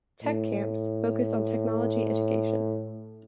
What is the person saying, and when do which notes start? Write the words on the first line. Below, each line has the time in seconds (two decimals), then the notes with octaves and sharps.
Tech camps focus on technology education.
0.24 A2